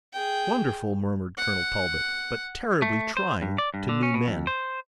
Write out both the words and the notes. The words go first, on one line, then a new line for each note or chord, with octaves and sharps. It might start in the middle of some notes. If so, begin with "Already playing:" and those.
Wonderful!" murmured Colonel Talbot, "but terribly trying to new men!
G#4 G5
F#5
A3
C5
G2
D5
G2
D3
C#4
B2
F2
C5